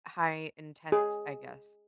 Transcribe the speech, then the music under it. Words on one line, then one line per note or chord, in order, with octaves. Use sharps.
high intense, I guess.
G#4